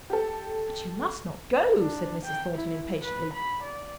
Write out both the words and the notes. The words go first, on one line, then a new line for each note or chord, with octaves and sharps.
'But you must not go,' said Mrs. Thornton, impatiently.
G4 A4
D4
G5
E4
B4
B5
D5